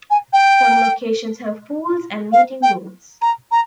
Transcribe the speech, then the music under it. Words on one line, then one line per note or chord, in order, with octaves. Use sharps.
Some locations have pools and meeting rooms.
G#5
G5
F5
G5
A#5
A#5